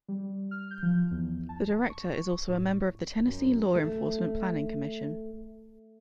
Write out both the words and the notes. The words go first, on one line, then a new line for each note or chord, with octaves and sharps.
The director is also a member of the Tennessee Law Enforcement Planning Commission.
G3
F6
G6
F3
E2
A5
C#6
A2
F#2
A3